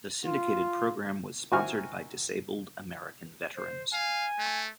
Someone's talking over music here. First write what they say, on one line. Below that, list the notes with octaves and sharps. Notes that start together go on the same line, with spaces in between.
The syndicated program was sponsored by Disabled American Veterans.
F4
D#3 E4 F#4 C5 G#5 F6
C5
F5 G#5
A3